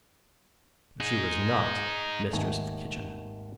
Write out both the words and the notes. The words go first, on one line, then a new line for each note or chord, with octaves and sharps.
But she was not mistress of the kitchen.
D#4 G#4
G#1 D#2 D#3 A3 G#5